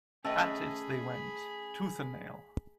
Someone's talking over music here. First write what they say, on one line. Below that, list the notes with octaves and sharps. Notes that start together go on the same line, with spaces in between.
At it they went, tooth and nail.
A3 C#4 G#4 B4 D#5 E5 G5 B5